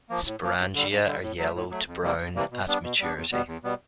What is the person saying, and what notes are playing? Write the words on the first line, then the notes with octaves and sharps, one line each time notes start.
Sporangia are yellow to brown at maturity.
F3 A#3
A2
F3 A#3
G2
D3 G3
G2
D3 G3
A2
F#3 A3
A2
F#3 A3
F2
C3 E3 G3 A#3
F2
C3 E3 G3 A#3
B2
G3 B3 D4
B2
G3 B3 D4
E2
B2 G3 B3
E2
B2 G3 B3